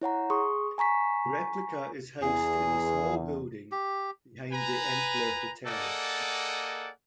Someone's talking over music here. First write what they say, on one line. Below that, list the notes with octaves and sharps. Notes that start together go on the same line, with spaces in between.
The replica is housed in a small building behind the Entler Hotel.
E4 C#5 F#5 A#5
G#4 C6 C#6 D#6
G#5 A#5 C#6 B6
E2 G#4
G4
B4 G#5 A#5
A#3 G#4 A4 D5 D#5 F#5